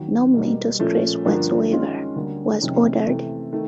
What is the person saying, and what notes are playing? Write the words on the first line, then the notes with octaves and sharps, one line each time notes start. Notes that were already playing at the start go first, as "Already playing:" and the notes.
"No mental stress whatsoever" was ordered.
Already playing: D#2 D#3 F#3
B2 G3 A#3
A#2 F3 A3 C#4
G2 D3 F3 A#3 D4
D#3 G#3 C#4 F4
D2 D3 G3 A#3 C#4
F2 C3 D#3 G#3 C#4
C3 E3 A3
D#3 A3